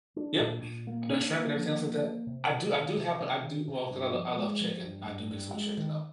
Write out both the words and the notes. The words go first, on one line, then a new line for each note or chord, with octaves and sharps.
Yep. I've done shrimp and everything else like that. I do I do have I do well, 'cause I l I love chicken. I do mix it with chicken though,
D4
A#2
A#2
A#3
D4
A#3
F3
A#3
A#3
C3
C3
D#3
C3
C3
D#3
C3
G2
F3
G#3
F3
G2
G2
G2
G#3
D#3